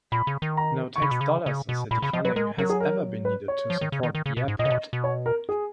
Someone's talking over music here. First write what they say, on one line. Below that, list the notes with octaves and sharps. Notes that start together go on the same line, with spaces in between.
No tax dollars or City funding has ever been needed to support the airport.
A#2 B5
C#3
D#3
A#5
C#6
C#3 B5
B2
C#3
C#3
B2
A#2 B5
C#3 B5
F3 D#5
F#3 B4
G#3 A#4
F#3 A#4
G#4
A#4
B4
C#5
F3
D#3
C#3
D#3
D#3
C#3
B2
G#2
A#2 D#5
C#3
B2
B2
C#5
A#4
G#4